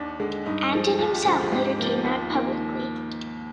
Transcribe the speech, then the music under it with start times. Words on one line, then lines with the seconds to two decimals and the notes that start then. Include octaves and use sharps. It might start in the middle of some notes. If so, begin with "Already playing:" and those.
Antin himself later came out publicly.
Already playing: D#2 D4
0.19 D3 G#3
0.46 G2 D#4
0.73 F3 G#3
0.99 D#2 F4
1.12 G4
1.25 D3 F3 G#3 F4
1.43 G#4
1.52 G#2 G4
1.78 F3 A#3
2.04 D#2 F4
2.30 D#3 A#3